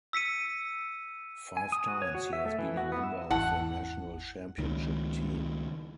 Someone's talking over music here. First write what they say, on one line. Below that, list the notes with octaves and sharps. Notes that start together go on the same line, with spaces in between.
Five times he has been a member of a national championship team.
E6 B6 C#7 D#7
G#5
D#6
F#4
C#5
F#4
E5
A3
E3
F#4
B3
E5
G#1 E2 E4 F#5 A5
C#2 D#3